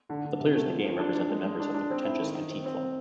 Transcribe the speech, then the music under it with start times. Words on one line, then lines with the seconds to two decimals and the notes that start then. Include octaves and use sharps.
The players in the game represent the members of the pretentious Antique Club.
0.09 D3
0.24 D3
0.40 C3
0.55 A3
0.69 F3
0.84 F3
1.00 D4
1.15 D4
1.30 G#3
1.44 G#3
1.60 D4
1.74 D4
1.90 C4
2.05 E4
2.20 D#3
2.35 D#3
2.50 C4
2.66 C4